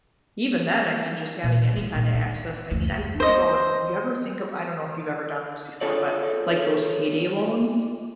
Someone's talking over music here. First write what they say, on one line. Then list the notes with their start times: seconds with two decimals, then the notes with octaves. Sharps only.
even then, I mean, just having any kinda access, I mean, I think about you ever think of I don't know if you've ever done these before, but, like, those payday loans?
1.43 A#2
1.76 E3
1.95 A#2
2.14 D#4
2.71 F#1 D2
3.20 C5 D#5
5.81 F4 G#4 A4 C#5 D5